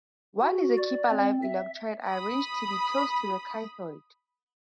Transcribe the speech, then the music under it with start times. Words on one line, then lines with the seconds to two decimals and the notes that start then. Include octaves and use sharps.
One is a keep-alive electrode, arranged to be close to the cathode.
0.41 F#4
0.78 D5
1.10 C4
1.43 E5
2.05 B5 D#6